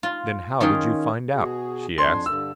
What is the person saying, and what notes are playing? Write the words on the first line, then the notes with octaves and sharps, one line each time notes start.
"Then how did you find out?" she asked.
F4
D#3 C#4 F4 G#4
B2 F#4 G#4
F2 D4 G#5 C6
G2 D3 E6